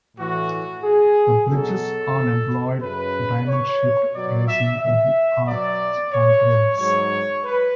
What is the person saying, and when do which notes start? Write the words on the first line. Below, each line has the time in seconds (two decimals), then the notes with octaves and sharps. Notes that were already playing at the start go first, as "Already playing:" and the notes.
The bridges all employed diamond-shaped bracing in the arch spandrels.
0.17 A2 E3 F#4
0.83 G#4
1.49 B2 F#3 A4
2.81 F#2 C#3 F#3 B4
3.48 C#5
4.13 B2 F#3 D5
4.47 E5
4.79 E5
5.46 B2 F#3 D5
6.12 C#5
6.78 G#2 F#3 C#5
7.44 B4